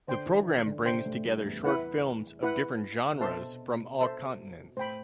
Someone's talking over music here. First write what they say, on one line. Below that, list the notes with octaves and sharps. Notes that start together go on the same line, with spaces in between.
The program brings together short films of different genres from all continents.
D3 D4 C5 G5 C6
E3 E4
D3 D4
D3 D4
C3 C4 C5 G5 C6
A2 A3
G2 G3
E2 E3
E4 B4 F#5
E4 B4 F#5
C3
B2 A4 C5 E5 A5 C6
A4 C5 E5 A5 C6
A2 C5 G5 B5